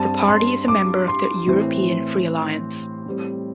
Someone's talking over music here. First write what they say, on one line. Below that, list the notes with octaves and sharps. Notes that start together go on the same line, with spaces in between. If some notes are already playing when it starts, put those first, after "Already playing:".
The party is a member of the European Free Alliance.
Already playing: G2 G3 C4 A5
C6
D6
C6
A2 E3 C4
A2 G3 C4